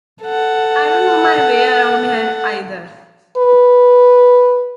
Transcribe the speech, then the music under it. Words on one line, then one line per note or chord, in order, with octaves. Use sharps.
I don’t know my way around here either.
A4 F#5
B4